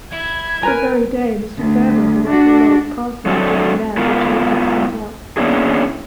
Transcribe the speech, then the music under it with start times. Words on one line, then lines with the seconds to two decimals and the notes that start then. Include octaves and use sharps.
That very day Mr. Farebrother went to Lowick parsonage on the nag which he had just set up.
0.13 E4 G#6
0.63 A#4 B4 G#5 A#5
1.57 D2
2.28 D4 F#4
3.26 F#3 C4 D4 F#4 A4 E5
3.97 G#3 B3 E4 F4 A#4
5.37 A#3 B3 C#4 D4 E4 G#4